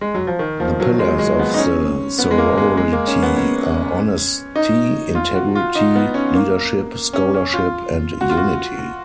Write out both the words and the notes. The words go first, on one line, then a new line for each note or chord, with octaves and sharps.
The pillars of the sorority are honesty, integrity, leadership, scholarship and unity.
G#3
F#3
F3
D#3
F3
F#3
G#3
G#3
B3
D#4
C#4
B3
G#3
A#3
G#3
G#3
A#3
C#4
B3
C#4
D#4
F4
F#4
F4
D#4
B3
C#4
A#3
C#4
C#4
F4
F#4
F4
F#4